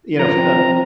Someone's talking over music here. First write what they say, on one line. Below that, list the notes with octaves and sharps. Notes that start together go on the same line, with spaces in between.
you know, f uh
F3 A#5
C4
F3